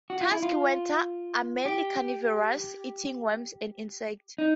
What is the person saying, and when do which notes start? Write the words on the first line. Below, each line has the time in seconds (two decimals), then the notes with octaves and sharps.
Tusked weta are mainly carnivorous, eating worms and insects.
0.10 F#4
0.21 F4
0.32 E4
0.43 F4
1.65 G4
4.38 D#4